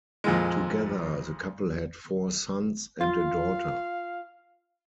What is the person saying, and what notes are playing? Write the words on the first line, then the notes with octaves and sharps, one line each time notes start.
Together the couple had four sons and a daughter.
F2 A#2 G#3
F4 F5